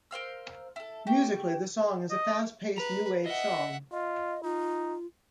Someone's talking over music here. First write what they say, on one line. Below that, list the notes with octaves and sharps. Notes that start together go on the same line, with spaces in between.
Musically, the song is a fast paced new wave song.
A#4 C5 F5 E6
E4 A4
F#4 G4
D#5
B4 A#5
D#5 E5 F#5
F4 D#5
D#4 F4